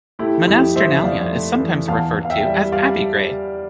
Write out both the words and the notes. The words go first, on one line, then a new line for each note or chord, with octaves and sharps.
Monasternalea is sometimes referred to as Abbeygrey.
A3 E4 G4
F2 E4 G4
F2 C5 E5
F2 D5 F5
A3
E3
E2 F5 A5
E2
F5
E5 G5
G3
G3 D5 F5